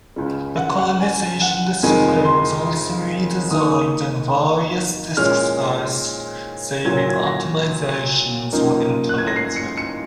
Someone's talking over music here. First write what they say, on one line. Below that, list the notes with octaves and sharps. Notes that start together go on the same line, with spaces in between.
The conversation display was also redesigned and various disk space saving optimizations were implemented.
C#2 C#3 G#3
F#5
F#5
G#5
F#5
F2 C3 D#3 G#3 D#4 G#5
C6
D#2 D#3 A#3 D#4 D#6
C#6
D#6
A#2 F3 G#3 C#4 F6
A#2 F#3 C#4 G#6
A#6
G#6
A#6
F#2 C#3 F3 A#3 D#4
F#6
G#6
A#6
C7
C#7
C#7